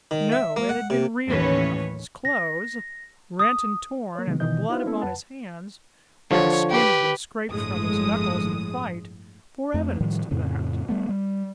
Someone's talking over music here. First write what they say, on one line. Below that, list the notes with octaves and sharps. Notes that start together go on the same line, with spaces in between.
No, it had been real enough; his clothes, rent and torn, and the blood upon his hands, where the skin had been scraped from his knuckles in the fight, bore evidence to that.
D#3
E5
A#3
F#5
C3
D#2 A2 E3 C#4 B4 C#5
A#6
D#6
A#3 C#5
C3 D#3 F#3 G#3 B3 D#4
B2 D#3 E3 D#5 G6
D#4 E4 F#4 B4 C5 F5
A#3 B3 C#4 E4 A4 E5
F2 B4 F#5 A5
D3 F3 C#5
G4 B4
G1 A2 F3 G#3 D#6
F2 A3
A2 D#3 F3 G3
F2 A2 C#3
G3 A3 B3
G3